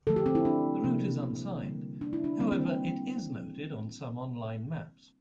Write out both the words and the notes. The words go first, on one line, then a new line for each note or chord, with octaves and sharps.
The route is unsigned; however, it is noted on some online maps.
D3 F3 A3 A4
G4
C4
E4
D4
C3 F3 A#3
C4
D3 G3 A#3
D4
E4
D4
D3 G3 A#3 C4
C4